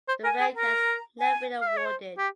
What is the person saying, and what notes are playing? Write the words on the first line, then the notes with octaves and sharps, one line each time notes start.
The rank has never been awarded.
C5
A#4 G#5
G#4
A#4 A#5
G#5
F5
E5
C#5
C5
G4